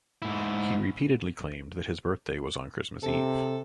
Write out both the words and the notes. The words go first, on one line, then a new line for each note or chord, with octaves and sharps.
He repeatedly claimed that his birthday was on Christmas Eve.
G#2 E4
C3 A4